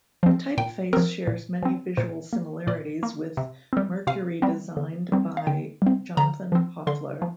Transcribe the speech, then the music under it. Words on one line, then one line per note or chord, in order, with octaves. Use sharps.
The typeface shares many visual similarities with Mercury designed by Jonathan Hoefler.
F3 C4
A#2 G5
F3 C4 A#4
A#2
F3 C4
A#2 C5
A#3
A#2 D5
A#3
C3
G3 C4
C3 F5
G3 C4
D3
G3 C4
F5
D3 G5
G3 C4
D3 A#5
F3 C4
D3 C6
F3